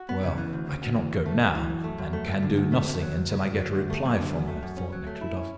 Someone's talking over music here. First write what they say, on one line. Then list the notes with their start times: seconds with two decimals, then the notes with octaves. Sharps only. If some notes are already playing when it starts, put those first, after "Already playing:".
"Well, I cannot go now, and can do nothing until I get a reply from her," thought Nekhludoff.
Already playing: F#4
0.09 B3
0.23 C#3
0.38 E3
0.53 D2
0.67 C#3
0.82 D2
0.96 E3
1.11 D2
1.26 A3
1.41 F#2
1.55 E3
1.70 F#2
1.84 A3
1.98 F#2
2.13 A3
2.29 D2
2.42 D3
2.57 D2
2.72 A3
2.87 D2
3.02 F#3
3.16 D2
3.31 C#3
3.46 D2
3.60 F#3
3.75 D2
3.90 A3
4.05 F#2
4.18 D3
4.33 F#2
4.48 A3
4.63 F#2
4.77 C#4
4.92 F#3
5.07 A3
5.21 E4
5.36 C#4